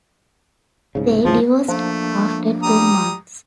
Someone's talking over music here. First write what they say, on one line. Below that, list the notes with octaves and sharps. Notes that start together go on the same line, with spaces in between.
They divorced after two months.
C2 G#2 C#3
E2 G#2 C#3 F3
F3 A3 A#3 D4
G3 A#5 D#6